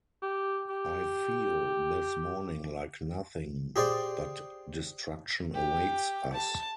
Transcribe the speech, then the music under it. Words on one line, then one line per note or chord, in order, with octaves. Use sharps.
I feel this morning like nothing but destruction awaits us.
G4
G4
G4 G#4 C5 D5
G4
A5